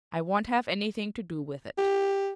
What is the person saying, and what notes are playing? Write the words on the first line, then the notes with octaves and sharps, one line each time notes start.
"I won't have anything to do with it."
G4